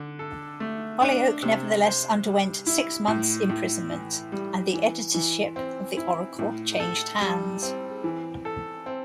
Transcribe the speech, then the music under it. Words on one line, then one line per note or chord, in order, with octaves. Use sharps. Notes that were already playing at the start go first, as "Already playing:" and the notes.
Holyoake nevertheless underwent six months' imprisonment, and the editorship of the "Oracle" changed hands.
Already playing: D3
A4
A3
D4
C3
C5
G3
E4
A2
A2
E3
G3
E3
E3
C4
E4
A2
A4
G3
C4
E3
A4
C4